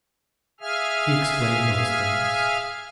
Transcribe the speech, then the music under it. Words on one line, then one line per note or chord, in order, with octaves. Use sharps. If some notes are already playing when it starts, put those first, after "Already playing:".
He explained those things.
G#4 E5 F5 G#5 F6